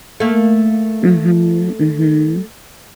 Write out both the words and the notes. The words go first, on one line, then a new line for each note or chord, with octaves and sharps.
Mhm. Mhm.
A3 A#3